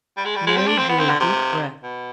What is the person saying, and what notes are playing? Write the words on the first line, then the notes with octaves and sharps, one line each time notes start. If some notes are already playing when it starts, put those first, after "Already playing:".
Mary drew a deep breath.
G3
G#3
G3
G#3
C4
D4
C4
B3
C4
D3
C3
B2